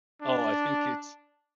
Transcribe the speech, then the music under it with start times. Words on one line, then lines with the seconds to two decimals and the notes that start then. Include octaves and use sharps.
Oh, I think it's
0.22 D4